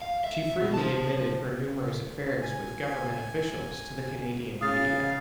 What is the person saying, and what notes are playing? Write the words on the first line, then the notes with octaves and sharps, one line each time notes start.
She freely admitted her numerous affairs with government officials to the Canadian media.
F5
E5
B2
C5 A5
G#5
C#3 F5 D#6 A6